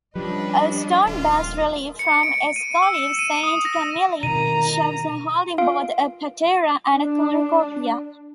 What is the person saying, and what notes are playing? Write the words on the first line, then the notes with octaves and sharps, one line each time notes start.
A stone bas-relief from Escolives-Sainte-Camille shows her holding both a patera and a cornucopia.
F3 G3 C#4 D4 B4 D#5
D#1 F4
C#7
D7
D#7
E6
E7
D#7
D#6
A#6
B2 D#3 C4 A#5 D#7
F4 F5 D7
D4